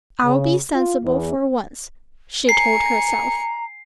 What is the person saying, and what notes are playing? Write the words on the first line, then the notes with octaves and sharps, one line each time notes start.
"I'll be sensible for once," she told herself.
C#3
F4
E2
G#5 A#5 C7 C#7